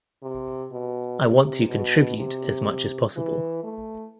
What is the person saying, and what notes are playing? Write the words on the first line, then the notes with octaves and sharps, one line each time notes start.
I want to contribute as much as possible.
C3
B2
C3
B2
C3
E3
A3